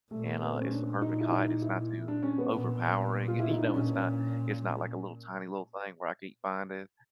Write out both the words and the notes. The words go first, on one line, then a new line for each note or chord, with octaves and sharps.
And, uh, it's the perfect height. It's not too overpowering. You know, it's not it's not like a little tiny little thing where I can't find it.
A#2 A3
B3
C4
C#4
D4
D#4
E4
D#4
E4
D4
C#4
B3
A#2
F4
E4
D#4
D4
A#2 C#4